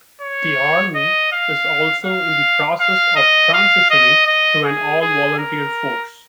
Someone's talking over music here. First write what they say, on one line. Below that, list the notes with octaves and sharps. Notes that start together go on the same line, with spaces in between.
The Army is also in the process of transitioning to an all volunteer force.
C#5
D#5
F5
F5
F5
D#5
F5
D#5
D#5
G#4
G#4
A#4